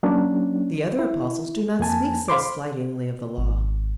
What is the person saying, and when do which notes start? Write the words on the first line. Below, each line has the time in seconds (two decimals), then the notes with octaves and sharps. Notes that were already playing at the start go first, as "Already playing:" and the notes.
The other apostles do not speak so slightingly of the Law.
0.03 F#3 A#3 C#4 D4
0.99 E4
1.79 F2 A#3 G#5 A5
2.28 C5 F5 B5 C6 D6
3.38 G#1